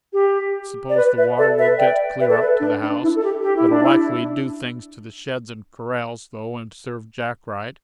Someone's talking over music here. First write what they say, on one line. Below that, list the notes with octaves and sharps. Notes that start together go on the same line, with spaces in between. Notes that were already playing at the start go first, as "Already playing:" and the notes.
I don't suppose the water will get clear up to the house; it'll likely do things to the sheds and corrals, though, and serve Jack right.
G4
D5
B4
B4 E5
A4 D5
B4 E5
D5 G5
B4 E5
A4 D5
B4
D4
D4
E4
A4
G4
G4
E4
D4
E4
D4